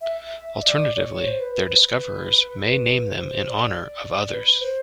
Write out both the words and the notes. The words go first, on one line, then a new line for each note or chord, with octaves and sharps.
Alternatively, their discoverers may name them in honor of others.
E5
D5
D5
C#5
C5
B4
B4
C5
B4
C5
C5
D5
B4
C5